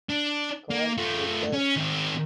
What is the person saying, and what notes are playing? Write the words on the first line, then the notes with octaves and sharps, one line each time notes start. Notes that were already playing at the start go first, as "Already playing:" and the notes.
Carl Ritter.
D4
A#3
A3 F4
C#4
D#3 C4